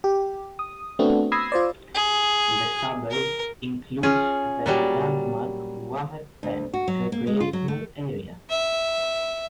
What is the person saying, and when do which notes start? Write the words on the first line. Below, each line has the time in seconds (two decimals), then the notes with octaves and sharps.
The suburb includes the landmark Wemmer Pan recreational area.
0.04 G4
0.59 D#6
0.99 A3 B3 C4 D4 F#4
1.32 B5 D#6 E6 G#6 A#6 C7
1.52 F4 C5 D5
1.95 G#4
3.11 A#4
4.03 C#4 F4 G#4
4.66 A#2 F#3 G3
6.43 D2
6.74 F#4
6.88 F#3
7.12 A#3
7.27 G#3
7.40 F4
7.53 F#3
7.68 A3
8.50 E5